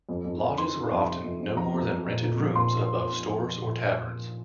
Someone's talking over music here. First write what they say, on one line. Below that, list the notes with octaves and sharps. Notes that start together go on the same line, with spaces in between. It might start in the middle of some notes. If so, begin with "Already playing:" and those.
Lodges were often no more than rented rooms above stores or taverns.
F2
F2
F2
D#3 C6
D#3
F2
C3
F2
F2
F3 A#5
F2
F2
A#2
A#2
F3
A#2 C6